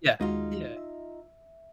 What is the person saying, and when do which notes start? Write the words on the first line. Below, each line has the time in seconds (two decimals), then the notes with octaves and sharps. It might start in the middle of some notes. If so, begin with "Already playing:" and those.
Yeah, yeah.
0.21 D#2 G#3 D#4 F4 F#4
0.77 E5